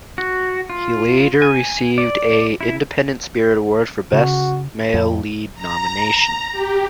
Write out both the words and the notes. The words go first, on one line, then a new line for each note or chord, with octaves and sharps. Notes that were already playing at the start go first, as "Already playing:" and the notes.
He later received a Independent Spirit Award for Best Male Lead nomination.
F#4
F4
G#5
D5
E4
C#3 F#4
F2
A#5
G4